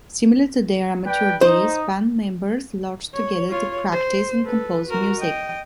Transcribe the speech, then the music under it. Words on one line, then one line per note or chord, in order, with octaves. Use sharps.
Similar to their amateur days, band members lodged together to practise and compose music.
B4 D5 G5
D#4 C5
C#5
F4 C#5
C5
A4 B4
F#4 A#4
D#5 G5